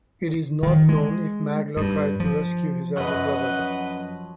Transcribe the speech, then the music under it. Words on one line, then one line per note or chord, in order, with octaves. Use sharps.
It is not known if Maglor tried to rescue his elder brother.
D#3
G#3
G2
F3
F#2 F3 F#3 B4 D#5 F#5